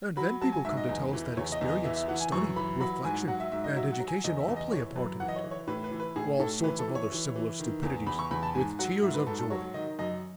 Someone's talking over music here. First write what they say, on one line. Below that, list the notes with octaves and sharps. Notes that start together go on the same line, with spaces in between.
And then people come to tell us that experience, study, reflection, and education all play a part in it.' All sorts of other similar stupidities, with tears of joy.
F#3 B5
F#3 A5
G#5
G#2 E5
D#5
E2
E3
E2 C#5
D#5
E2
D#5
E3 E5
E5
E3 F#5
G#5
F#2 C#6
E3 B5
F#3 B5
G#2 G#5
F#3 F#5
E5
G#2 E5
D#5
F#3 E5
F#5
F#3
G#5
E2 D#5
E5
E2
D#5
E3 C#5
F#2 B4
E3 F#5
D#5
C#5
E3
C#5
A2 B4
B4
E3
B4
A2 G#4
A2 A4
E3 B4
A4
E3
C#5
E3
E3
D#3
E2
E2 B5
C#6
E2 B5
A5
G#2 G#5
F#3 F#5
G#2 E5
B4
G#2 A4
A4
F#3 C#5
D#3 D#5
F#2 D#5